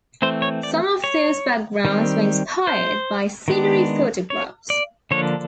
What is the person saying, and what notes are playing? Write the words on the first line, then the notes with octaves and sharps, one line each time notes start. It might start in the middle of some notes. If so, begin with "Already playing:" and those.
Some of those backgrounds were inspired by scenery photographs.
E3 A3 C4 C5
C#5
D5
C#5
D#3 G3 C4
C5
D#3 G#3 B3 D4
C#5
D5
D3 F3 A#3 D4 C#5